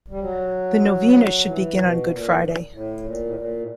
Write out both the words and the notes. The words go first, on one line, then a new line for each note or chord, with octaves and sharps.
The novena should begin on Good Friday.
G3
F#3
E3
B2
A#2
A2
A#2
A2
A#2
A2